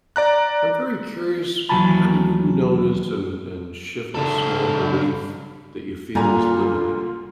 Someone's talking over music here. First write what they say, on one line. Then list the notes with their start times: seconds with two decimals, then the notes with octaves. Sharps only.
I'm very curious. How do you notice and and shift a small belief that you feel is limiting you?
0.16 D5 A#5 F#6
1.69 D#2 E3 F#3 G#5 A5 B5
4.15 C#3 A4
6.15 A#2 D3 G3 A#3 F4 G#5 A#5